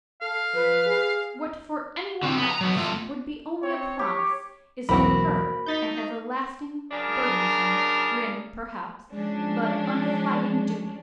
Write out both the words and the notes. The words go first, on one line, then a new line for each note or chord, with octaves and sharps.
What for any one else would be only a promise is for her an everlasting burdensome, grim perhaps, but unflagging duty.
A4 F5
F3 B4
G#4
D3 C4
B3
A#5
F#3 B3
A3 F4
C4 C#5
G4 C#5
B1 E2 A#3 C4 F#4 B5
D#4 G6 A6 B6
C#3 F#3 D4 G#4 A#4
F3 G#3 C#4 D4